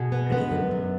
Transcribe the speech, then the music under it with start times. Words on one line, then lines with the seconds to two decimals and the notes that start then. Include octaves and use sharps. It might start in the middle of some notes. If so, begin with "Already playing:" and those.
how do you
Already playing: B2 G#4
0.12 B3
0.31 G#3 B3
0.51 F#2
0.71 F#2